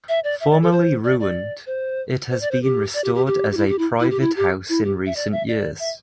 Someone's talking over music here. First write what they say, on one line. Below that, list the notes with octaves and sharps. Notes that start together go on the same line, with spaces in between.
Formerly ruined, it has been restored as a private house in recent years.
E5
D5
E5
D5
A4
C5
D5
D5
C5
C5
D5
C5
G4
D5
G4
G4
G4
G4
E4
G4
E4
E4
G4
E4
G4
E4
G4
E5
D5
E5
D5
E5